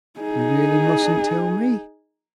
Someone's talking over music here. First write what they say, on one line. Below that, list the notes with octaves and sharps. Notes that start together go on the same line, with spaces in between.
"You really mustn't tell me?"
D#4 G#4